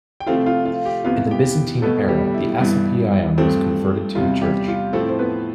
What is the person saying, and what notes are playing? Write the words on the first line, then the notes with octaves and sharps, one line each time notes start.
In the Byzantine era, the asclepieion was converted to a church.
G5
C3 F3 A3 C4 F4 F5
F4 F5
F4 F5
G4 G5
E2 C3 E3 B3 F4 F5
G4 G5
B2 A3 B3 A4
G3 G4
E4
G2 E3 G3 B3
G2 F3 A3 C4
E2 C3 G3 F4
G3 G4
F4
A2 F3 A3 C4 A4
C5
B3 B4